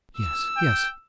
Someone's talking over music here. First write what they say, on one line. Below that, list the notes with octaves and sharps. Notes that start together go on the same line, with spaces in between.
"Yes, yes."
E6
G5